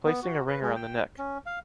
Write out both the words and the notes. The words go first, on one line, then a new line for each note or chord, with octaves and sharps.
Placing a ring around the neck.
B3
F#4
B4
G#3
G5
C#4
F5